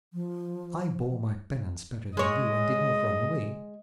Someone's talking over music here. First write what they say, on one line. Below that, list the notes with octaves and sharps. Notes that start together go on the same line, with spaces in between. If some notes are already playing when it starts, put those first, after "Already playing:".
I bore my penance better than you, and did not run away.
F3
G#3 C#5 D#5